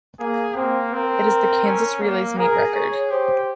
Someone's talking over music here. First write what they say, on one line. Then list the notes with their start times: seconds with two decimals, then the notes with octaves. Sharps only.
It is the Kansas Relays meet record.
0.19 A#3 G#4
0.56 A#3 C4
0.93 C4 A#4
1.66 C#4
2.02 A#3
2.38 G#4 A#4
2.74 C#5
3.11 G4 C5